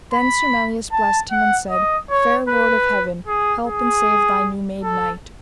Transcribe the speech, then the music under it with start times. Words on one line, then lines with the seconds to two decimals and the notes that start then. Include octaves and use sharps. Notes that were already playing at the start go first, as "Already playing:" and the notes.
Then Sir Melias blessed him and said: Fair lord of heaven, help and save thy new-made knight.
0.13 B5
0.92 A5
1.31 F#5
1.70 D#5
2.10 C#5
2.49 B4
3.27 G#4
3.66 G#4
4.84 A4